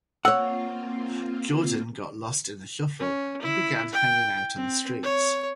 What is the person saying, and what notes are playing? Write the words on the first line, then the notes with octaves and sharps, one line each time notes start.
Jordan got "lost in the shuffle"and began hanging out on the streets.
A#3 C4 F4 C#5 F#5 E6
C#4
E4
G5
C4
C#5